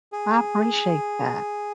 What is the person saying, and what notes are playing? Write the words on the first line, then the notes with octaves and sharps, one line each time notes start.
I appreciate that.
G#4